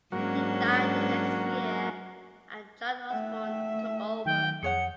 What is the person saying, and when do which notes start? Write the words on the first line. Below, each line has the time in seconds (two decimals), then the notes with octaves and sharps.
He died the next year and John Osborn took over.
0.12 G#2 F#3 A#3 C#4 D4 F#4
3.11 A3 E5 F#5 G5
4.26 D#3 F#3 G5
4.63 F2 G#4 C#5 F#5 C#7